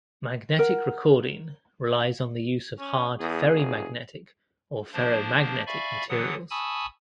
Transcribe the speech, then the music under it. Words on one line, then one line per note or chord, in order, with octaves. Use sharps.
Magnetic recording relies on the use of hard ferrimagnetic or ferromagnetic materials.
A#4 F#5
C#4
E2 G#4
F1
F3 A#3 D4 C5
D5 E5 F5 G#5 B5 C#6
D3 E3 F#3 F#5 D#6
G#5 A5 B5 C#6 D#6 E6